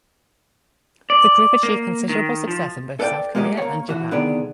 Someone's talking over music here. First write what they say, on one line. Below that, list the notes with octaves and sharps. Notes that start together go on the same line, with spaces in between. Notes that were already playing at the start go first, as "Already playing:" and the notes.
The group achieved considerable success in both South Korea and Japan.
D5
A#3
D#3
F3
A4 B4 D5 F5 G5
G#3 A#3 F#4 G4 D#5
A#3 C#5
E3 F#4
C2 D3 D#3 B3 G#4 D5